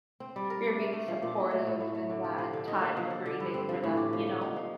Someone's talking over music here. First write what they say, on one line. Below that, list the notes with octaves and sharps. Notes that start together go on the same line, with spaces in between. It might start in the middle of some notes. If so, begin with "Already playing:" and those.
you're being supportive in that time of grieving for them, you know?
C4
G3
A#4
D4
A3
A3
F3
A#2
D#4
A3
A2
A2
A3
D3
G4
F3
D3
D#4
A#3
F3
A4
D3
G2
C4
F3
A2
G4
F3
A#2
D#4
F3